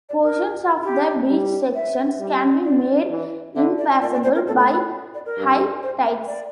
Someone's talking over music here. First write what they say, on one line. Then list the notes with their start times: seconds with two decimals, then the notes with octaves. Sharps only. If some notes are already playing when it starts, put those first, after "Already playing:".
Portions of the beach sections can be made impassable by high tides.
0.09 D5
0.24 A#4
0.84 G4
1.30 G3
1.75 E5
2.20 G3
2.65 D5
3.11 E3
3.55 D3 E5
3.78 D5
4.01 A#2 D5
4.13 D5
4.23 C5
4.35 A#4
4.46 A2 A4
4.58 A4
4.69 A4
5.14 D5
5.26 A#4
5.37 G2
5.83 C5
6.04 E5
6.27 D5